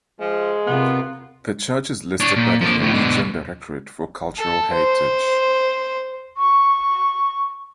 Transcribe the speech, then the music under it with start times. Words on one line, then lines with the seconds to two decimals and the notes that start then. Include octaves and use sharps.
The church is listed by the Norwegian Directorate for Cultural Heritage.
0.20 F3 G#3
0.67 C3 B3 F4 A#4
2.20 D4 C#5
2.36 A#2
2.61 F3 A#3
2.79 D2 A2
2.92 B2 D3
4.38 A4
4.73 C5
6.36 C#6